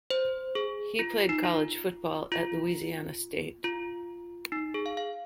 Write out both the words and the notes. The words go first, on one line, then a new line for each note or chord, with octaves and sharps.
He played college football at Louisiana State.
C5
G#4
F4
D#4
F4
F4
F4
D#4
G#4
F5
F5